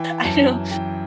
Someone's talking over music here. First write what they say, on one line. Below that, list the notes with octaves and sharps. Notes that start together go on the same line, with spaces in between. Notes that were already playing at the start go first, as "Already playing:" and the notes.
I don't,
Already playing: E3 G5
F#2 A5
E3 G5